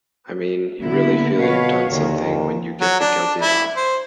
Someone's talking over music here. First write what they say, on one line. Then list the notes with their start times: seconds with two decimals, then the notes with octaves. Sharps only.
I mean, you really feel you've done something when you get the guilty off.
0.80 D3 A#3 B3 E4
1.38 B2 B4 C#5 F5
1.90 D#2 D3 D#3 A#3
2.81 F#3
3.00 D4
3.41 E4
3.76 C5